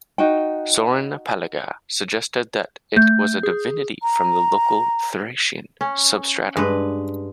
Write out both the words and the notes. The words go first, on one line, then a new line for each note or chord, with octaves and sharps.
Sorin Paliga suggested that it was a divinity from the local Thracian substratum.
D#4 F#4 G5
A3 G6
G#4
A#5
C#4
G2 G#3 B4